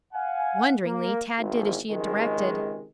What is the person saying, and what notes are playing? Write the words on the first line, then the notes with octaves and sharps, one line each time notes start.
Wonderingly, Tad did as she had directed.
F5 F#5 G#5
A#3
G#1 E2
C#2 C3 D#3 G#3